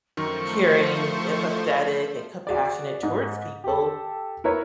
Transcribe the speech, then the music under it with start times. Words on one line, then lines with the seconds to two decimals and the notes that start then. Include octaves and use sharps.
caring, empathetic, and compassionate towards people,
0.17 F#2 D#3 F3 A3 A#4 C5 C#6
2.47 F#4 G#4 D5
3.03 G#2
3.64 G4 A4
4.44 E4 A#4 B4 C#5